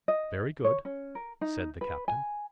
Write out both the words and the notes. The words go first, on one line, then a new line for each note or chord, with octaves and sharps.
"Very good," said the captain.
D#5
C#5
C#4
A#4
D#4
B4
G#5